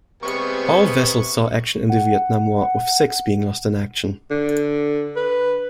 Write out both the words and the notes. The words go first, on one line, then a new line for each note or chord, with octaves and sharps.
All vessels saw action in the Vietnam War, with six being lost in action.
C3 G3 G#3 B3 C#6
F#5
D3
B4